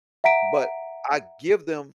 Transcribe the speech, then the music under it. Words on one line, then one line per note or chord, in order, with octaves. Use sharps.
but I give them
E5 F#5 A#5 B6 D7